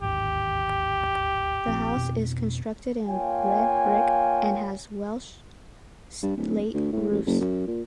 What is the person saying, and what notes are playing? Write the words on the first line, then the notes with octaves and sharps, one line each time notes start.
The house is constructed in red brick and has Welsh slate roofs.
D1 G#1 D#2 G4
A#1 F3 C4
F2 B2 C4
A#3 F4 C#5 F5 G5 G#5
G2
D1
D2
A2
A1
F#1
F#2
A#2